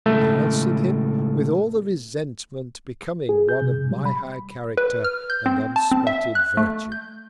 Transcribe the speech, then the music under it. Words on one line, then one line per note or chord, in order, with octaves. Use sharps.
I answer'd him with all the Resentment becoming one of my high Character and unspotted Virtue.
C#2 A2 D#3 A3
G#4
G6
C3
C3
G3
B5
B4
F6
G6
C4
A5
C4
E5
F#6
A3
G6